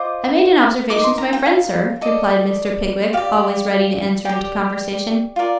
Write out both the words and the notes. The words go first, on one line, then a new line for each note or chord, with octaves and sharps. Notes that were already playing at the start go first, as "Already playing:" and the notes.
'I made an observation to my friend, sir,' replied Mr. Pickwick, always ready to enter into conversation.
Already playing: F4 C5 D#5 D6
D#4 A#4 D#5 D6
C6
A#5
G5
F5
A4 D5 D#5
G4 D5 F5
G4 D5 G5
F4 A#4 D5